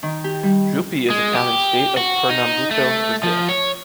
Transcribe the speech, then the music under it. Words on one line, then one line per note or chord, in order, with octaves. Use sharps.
Jupi is a town in State of Pernambuco, Brazil.
D#3
G4
G3
G#3
G4
F#4
D#4
A3
F3
C#5